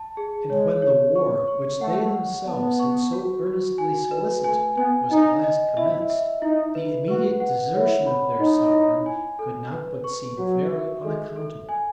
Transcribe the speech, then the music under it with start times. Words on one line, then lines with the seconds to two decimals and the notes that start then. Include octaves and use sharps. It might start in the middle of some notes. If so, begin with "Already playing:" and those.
And when the war which they themselves had so earnestly solicited, was at last commenced, the immediate desertion of their sovereign could not but seem very unaccountable.
Already playing: A5
0.17 G#4
0.50 G#3 C#5
0.82 C#5
1.16 C#6
1.48 C#6
1.81 A3 F#5
2.14 F#5
2.47 B3 A5
2.79 C#6
3.13 F#4
3.46 F#4
3.78 G#5
4.11 B4
4.44 A3 G#5
4.77 B3 G#5
5.11 D#4 D#5
5.44 D#5
5.77 E4 E5
6.10 E5
6.42 D#4 E4
6.75 B4
7.08 F#4 B4
7.40 F#5
7.74 E4 C#5
8.07 B5
8.40 D#4 D#5
8.72 E4
9.06 G#5
9.39 A4
9.72 B4
10.04 C#6
10.37 F#3 F#4
10.71 E5
11.03 G#3 A4
11.36 A4
11.69 G#5